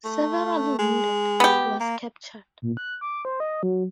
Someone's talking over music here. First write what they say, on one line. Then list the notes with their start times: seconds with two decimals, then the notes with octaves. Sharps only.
Severely wounded, he was captured.
0.04 A3
0.79 G#3
1.40 B3 G4
1.80 A#3
2.62 A#2
2.77 F#6
3.01 D6
3.25 C5
3.40 D#5
3.63 F#3